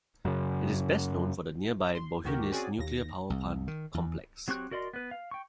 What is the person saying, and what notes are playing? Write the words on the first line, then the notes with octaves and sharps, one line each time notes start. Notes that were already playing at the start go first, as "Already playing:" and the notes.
It is best known for the nearby Bohunice Nuclear Power Plant complex.
F#2 C#3
C6
D2 D#3 F#4 G4 A#4
C4 C#4 F#4 G#4 D5 G#5
D#2 A#6
C2
D#3
E2
F#3 C4 G4 C#6 F#6
F#4 A#4 D5 D#5 C6
B3 B4
F5
G5 C#6